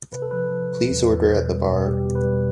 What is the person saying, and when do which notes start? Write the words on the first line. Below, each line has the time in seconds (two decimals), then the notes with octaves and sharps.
Please order at the bar.
0.13 C3 B4
0.22 A4
0.31 F3 B4
0.51 F3
0.70 F3
0.90 E2
1.09 E2
1.28 B2
1.48 G3
1.67 B2
1.86 G3 G4
2.05 B2
2.15 B4
2.24 G3